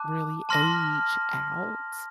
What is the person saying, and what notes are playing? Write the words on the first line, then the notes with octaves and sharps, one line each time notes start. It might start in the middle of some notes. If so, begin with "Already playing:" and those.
really age out.
Already playing: A5 D6 F#6
A5 C6 F6 A#6